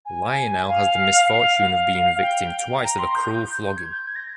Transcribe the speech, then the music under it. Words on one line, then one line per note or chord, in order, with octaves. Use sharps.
Lionel has the misfortune of being victim twice of a cruel flogging.
G#5
F5
F5
F5
G5
A#5
C6
G6
G#6
G6
G#6
A#6